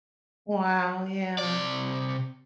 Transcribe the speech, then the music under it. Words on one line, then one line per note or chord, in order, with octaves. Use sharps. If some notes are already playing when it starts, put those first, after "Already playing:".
Wow, yeah.
C3 D5